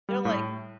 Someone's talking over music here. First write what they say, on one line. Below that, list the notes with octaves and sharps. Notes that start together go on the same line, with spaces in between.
they're like,
G3
A2